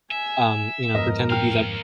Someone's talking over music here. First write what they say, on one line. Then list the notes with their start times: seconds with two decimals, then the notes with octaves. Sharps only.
um, you know pretend to be that uh
0.11 E5 G#5
0.95 F2 G#2 B3 A#4 D#5
1.30 D#2 F5 G5 F6